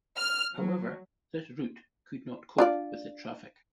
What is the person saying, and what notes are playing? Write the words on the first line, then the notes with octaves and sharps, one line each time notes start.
However this route could not cope with the traffic.
F6
F#3
D4 F4 D5